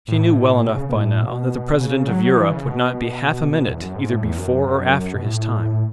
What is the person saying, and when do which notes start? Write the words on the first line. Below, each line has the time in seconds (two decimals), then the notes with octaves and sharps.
She knew well enough by now that the President of Europe would not be half-a-minute either before or after his time.
0.08 A2
0.65 B2
0.74 C#3
0.89 B2
0.93 A2
1.23 B2
1.80 C#3
2.08 F#3
2.37 E3
2.51 C#3
2.66 B2
3.51 B2
3.67 E2
3.81 F#2
3.95 G#2
4.08 A2
4.23 E2
4.37 F#2
4.67 F#2
5.15 B2
5.23 A2